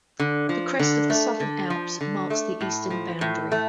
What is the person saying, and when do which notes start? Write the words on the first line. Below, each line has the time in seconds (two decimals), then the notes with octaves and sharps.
The crest of the Southern Alps marks the eastern boundary.
0.19 D3
0.49 F3
0.79 D3
1.10 A3
1.40 D3
1.70 F3
2.01 D3
2.30 A3
2.61 A2
2.90 F3
3.21 A2
3.52 A3